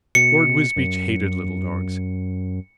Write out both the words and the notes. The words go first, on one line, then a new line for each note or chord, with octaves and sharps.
Lord Wisbeach hated little dogs.
B2 C#7
F#2